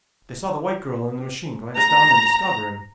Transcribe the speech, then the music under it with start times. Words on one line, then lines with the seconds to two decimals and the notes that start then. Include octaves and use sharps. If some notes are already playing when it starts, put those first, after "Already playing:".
They saw the white girl in the machine glance down and discover him.
1.77 A#5